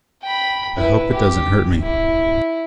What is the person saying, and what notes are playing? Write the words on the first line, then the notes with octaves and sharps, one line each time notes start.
I hope it doesn’t hurt me.
G5 B5
E4 B4
G4
E4